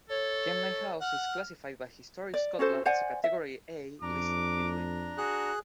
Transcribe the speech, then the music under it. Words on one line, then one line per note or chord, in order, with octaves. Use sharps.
Kemnay House is classified by Historic Scotland as a category A listed building.
A4 C#5
F#5 F6
D5
C#4 F#4 A4 C5
C5 D5 F#5 G#5
E5
F2 D4 A#5 D6
F#4 G#4 F#6